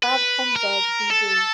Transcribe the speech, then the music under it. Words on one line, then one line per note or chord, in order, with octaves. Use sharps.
Bad Homburg v.d.
B4
A#4
A4